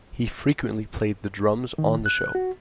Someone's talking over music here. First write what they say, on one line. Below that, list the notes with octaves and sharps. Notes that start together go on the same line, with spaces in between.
He frequently played the drums on the show.
D#3
F#6
F#4